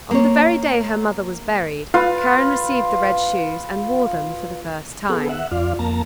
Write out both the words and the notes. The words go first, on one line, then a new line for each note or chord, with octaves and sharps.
On the very day her mother was buried, Karen received the red shoes, and wore them for the first time.
A#3 C#5
F4 B4 F5
B3 G#4 A4
E5 F#5
F2 F4 D5 F5
F2 A#3 A5 A#5